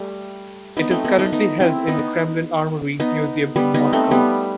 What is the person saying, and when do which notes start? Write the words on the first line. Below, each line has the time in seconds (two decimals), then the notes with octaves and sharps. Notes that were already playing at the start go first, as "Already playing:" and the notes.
It is currently held in the Kremlin Armoury Museum in Moscow.
Already playing: G3 A3
0.77 B3 D#4
0.91 A3 C4
1.04 B3 D#4
1.19 B3 D#4
1.32 B3 D#4
1.60 C4 E4
1.88 B3 D#4
3.00 B3 D#4
3.56 G3 B3
3.74 B3 D#4
3.93 A3 C4
4.11 G3 B3